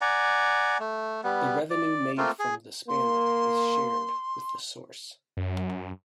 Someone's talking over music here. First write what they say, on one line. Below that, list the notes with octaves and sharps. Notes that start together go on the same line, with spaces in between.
The revenue made from the spammer is shared with the source.
D5 F#5 G#5 A#5
A3
G3 B3
D5
A3 A#3 C4 F4
G#4
A#3 C6
F#2